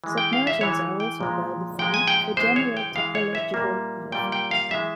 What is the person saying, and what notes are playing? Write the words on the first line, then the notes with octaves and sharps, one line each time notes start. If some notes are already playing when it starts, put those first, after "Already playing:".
Submersions are also well defined for general topological manifolds.
E3 G#3
G5
F5
E5
E3 G#3 C#5
G5
A#2 F3 G#3
A#2 F3 G#3 G5
G#5
G5
E3 G#3 C5
C#5
G5
E3 G#3 F5
C#5
E5
A#2 G3 A#3
A#2 G3 A#3 G5
G5
F5
E3 G#3 E5